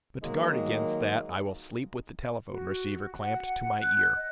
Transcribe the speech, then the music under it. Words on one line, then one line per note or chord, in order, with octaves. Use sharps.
But to guard against that I will sleep with the telephone receiver clamped to my ear.
D#3 F#3 G#3 A#3
F#4
F#5
F#6
D#5